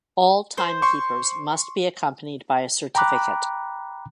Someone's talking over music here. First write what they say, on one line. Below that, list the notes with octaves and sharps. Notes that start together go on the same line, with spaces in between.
All timekeepers must be accompanied by a certificate.
C5
C6 C#6
G5 A#5 B5 D6 F#6